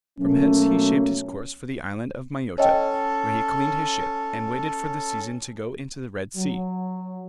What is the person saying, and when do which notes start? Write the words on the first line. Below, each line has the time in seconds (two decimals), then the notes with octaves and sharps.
From hence he shaped his course for the island of Mayotta, where he cleaned his ship, and waited for the season to go into the Red Sea.
0.19 B2 F#3 A3 A#3 C#4
2.58 C#4 A4 C#5 D#5 G5
6.36 F#3